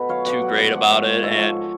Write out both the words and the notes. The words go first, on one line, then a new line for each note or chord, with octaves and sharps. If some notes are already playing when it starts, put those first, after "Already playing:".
too great about it, and
Already playing: B2 A4 B4
F#3 C#5 F5
B2 D5 F#5
F#3
G#2 D5 F#5
F3 D5 F#5
C#5 F5
G#2
F3
G#2 A4 C#5
F3